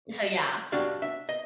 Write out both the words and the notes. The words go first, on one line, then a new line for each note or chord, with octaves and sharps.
so yeah.
D4 F#4 G4 D5 F5
E5
D#5